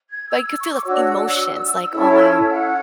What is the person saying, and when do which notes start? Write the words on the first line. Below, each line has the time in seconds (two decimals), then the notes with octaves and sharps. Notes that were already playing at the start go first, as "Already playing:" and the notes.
like, you could feel the emotions, like, "Oh, wow.
0.10 G#6
0.28 E6
0.59 C#6
0.71 D6
0.83 D4 F#4 C#5 E6
1.93 C#4 E4 A4 C#5
2.49 F#5